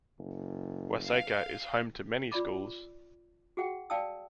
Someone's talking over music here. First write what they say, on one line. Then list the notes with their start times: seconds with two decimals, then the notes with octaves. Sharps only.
Waseca is home to many schools.
0.19 F#1
1.05 F5
2.32 F4 D5 B5 D6
3.57 F#4 G#4 F#5 G5
3.90 D5 F5 G5 A5 D#6 E6